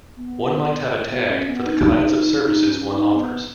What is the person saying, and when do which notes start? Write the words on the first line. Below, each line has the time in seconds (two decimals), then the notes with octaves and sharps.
One might have a tag for the kinds of services one offers.
0.17 B3
1.10 B3
1.29 C#4
1.48 B3
1.67 D#4
2.34 C#4
2.42 D#4
2.66 C#4
2.91 D#4
3.16 B3